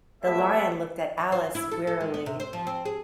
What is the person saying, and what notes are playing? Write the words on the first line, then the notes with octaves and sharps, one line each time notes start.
The Lion looked at Alice wearily.
A3 B3 G4 A4 E5
E2
C5
E4
A4
A4
G#3
B3
C3
C5
F3
C4
G#4